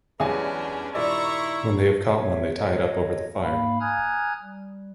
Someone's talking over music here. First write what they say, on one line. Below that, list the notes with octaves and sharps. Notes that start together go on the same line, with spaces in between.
When they have caught one they tie it up over the fire.
E2 G2 F#3 G#3 C#4 D4 B4 G#5
G2 A#2 D#3 E4 D5 A#5 C6 C#6
C#5 E5
C#5 D#5
G#2 A#3 F5 B5
G#5 A#5 D#6 F6 F#6 G#6
G3